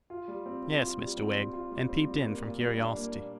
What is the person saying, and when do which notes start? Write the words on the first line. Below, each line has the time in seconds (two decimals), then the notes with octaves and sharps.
'Yes, Mr Wegg, and peeped in from curiosity.'
0.10 F4
0.28 G3
0.46 C4
0.64 G3
0.82 F4
1.00 G3
1.18 C4
1.35 G3
1.53 F4
1.71 G3
1.89 C4
2.07 G3
2.25 A#3
2.43 A#2
2.61 G3
2.78 D4
2.96 A#3
3.14 A#2